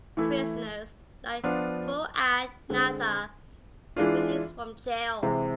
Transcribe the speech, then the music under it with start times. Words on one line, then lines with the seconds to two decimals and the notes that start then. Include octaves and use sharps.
Prisoners, like Fu'ad Nassar, were released from jail.
0.17 E3 A3 E4
1.44 F3 B3 D4 F4
2.70 D3 G#3 C4
3.96 E3 G#3 D4 F4
5.22 C3 E3 G#3 C4